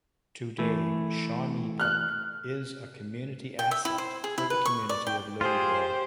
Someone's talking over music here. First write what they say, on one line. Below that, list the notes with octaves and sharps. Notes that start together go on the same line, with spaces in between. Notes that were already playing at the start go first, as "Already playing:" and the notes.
Today, Shawnee Park is a community asset for the community of Louisville.
E3 A3
F6 F#6
G5
E5
E4
C5
G#4
E4
B4
C#6
D5
G5
F4 G4 G#4 C5